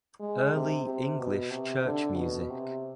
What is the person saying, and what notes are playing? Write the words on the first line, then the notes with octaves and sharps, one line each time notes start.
Early English Church Music.
G#3
C3
C3
B2
C3
D3
B2
C3